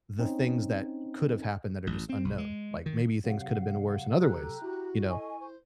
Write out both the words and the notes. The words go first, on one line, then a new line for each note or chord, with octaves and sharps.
the things that could've happened that are just unknown? Like, maybe things could've been worse in other ways, you know?
C4 C#4 D#4
A1
C4
B1
G#3
D#3
C3 F#3 F5 F#5
G4 A4 A#5 F#6
E4 F#4
A4 D#5 G#5 C#6
C5